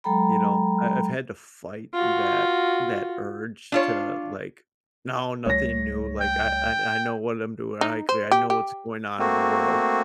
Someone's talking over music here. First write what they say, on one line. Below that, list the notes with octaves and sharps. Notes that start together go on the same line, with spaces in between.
you know, I I've had to fight that that urge to, like, "No. Nothing new, like, I I I know what I'm doing. I could I know what's going on in the world."
F#3 G#3 A4 G5 A#5 B5
F4 F#4
D4 F4 C#5
C#2 G3 A3 C#5 A#6
G5
D#4
C5
G4
G4
A3 A#3 C4 F#4